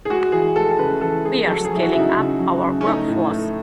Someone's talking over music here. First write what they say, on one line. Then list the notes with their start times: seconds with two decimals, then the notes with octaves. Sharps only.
We are scaling up our workforce.
0.05 G#4
0.09 G#3 F#4
0.32 E3 G#4
0.56 G#3 A4
0.71 A4
0.78 C#3 B4
1.01 E3 A4
1.25 G#3 G#4
1.47 F#3 A4
1.65 G#4
1.70 F#3
1.76 E4
1.83 F#4
1.93 C#3 E4
1.99 D#4
2.16 C#3
2.39 F#3
2.63 C#3
2.81 C#4
2.86 A3 D#4
3.08 A2
3.31 A3